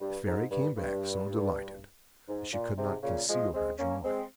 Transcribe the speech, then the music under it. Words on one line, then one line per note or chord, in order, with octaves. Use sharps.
The Fairy came back so delighted that she could not conceal her joy.
G2
G#2
G2
G2
G#2
A#2
G#2 C3
A#2 C#3
F3 G#3
G#3 C4
A#3 C#4
G#3 C4